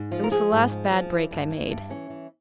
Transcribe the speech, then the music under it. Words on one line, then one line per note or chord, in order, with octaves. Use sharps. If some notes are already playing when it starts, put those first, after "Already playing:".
It was the last bad break I made.
Already playing: G#2
F3 F4
A#4
F3 G#4
G#2
F3
F3
E3
G2
E3
G2
E3 C#4
E3